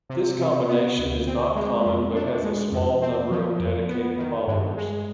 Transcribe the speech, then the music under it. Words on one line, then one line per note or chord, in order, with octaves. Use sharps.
This combination is not common but has a small number of dedicated followers.
C3
C3
B3
D2
C4
G#3
F2
D4
G#3
F2
C4
F3
F2
B3
D#3
G2
G#3